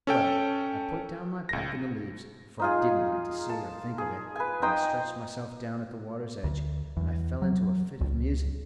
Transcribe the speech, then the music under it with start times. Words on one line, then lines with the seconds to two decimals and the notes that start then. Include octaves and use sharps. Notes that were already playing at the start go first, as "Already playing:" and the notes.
Well, I put down my pack in the leaves, for I did n't like to see or think of it, and I stretched myself down at the water's edge, and I fell into a fit of musing.
0.07 C#4 A4 G5
1.49 C#2 A#6
2.60 D#4 F4 G#4
3.49 A5
3.98 G#4
4.36 B4 G#5
4.62 D#4 C5 G5 D#6
6.44 D2
6.97 E2
7.42 F#3
8.01 C#2